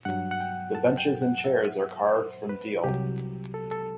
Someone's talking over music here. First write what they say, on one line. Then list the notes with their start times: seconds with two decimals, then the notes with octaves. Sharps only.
The benches and chairs are carved from deal.
0.05 G2 F#3 F#5
0.31 F#5
0.41 G5
0.75 A5
0.97 G5
1.22 F#5
1.44 E5
2.14 C5
2.49 B4
2.84 C2 C3 F#3 G4
3.54 A4
3.71 A4